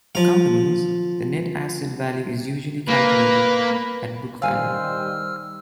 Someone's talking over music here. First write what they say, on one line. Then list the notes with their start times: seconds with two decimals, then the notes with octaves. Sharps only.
For companies, the net asset value is usually calculated at book value.
0.15 F3 F5
2.89 A#3 B4
4.42 D#3 G3 C5 F5 G#5 E6 F6